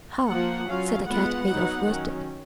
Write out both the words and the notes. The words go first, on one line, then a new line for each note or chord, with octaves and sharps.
"Ha!" said the Cat-made-of-worsted.
F3 A#3 F4 F#5
F#3 C#4 F4 F5
G#3 B3 F4 F#5
F#3 B3 D#4
D#3 F#3 C#4